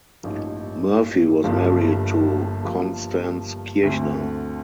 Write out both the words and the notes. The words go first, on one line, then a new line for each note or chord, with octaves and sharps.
Murphy was married to Constance Kirchner.
A1 G2 F3 A#3 D#4
G1 G2 F3 A#3 D4
G2 F3 A#3
D2 D3 A3 C4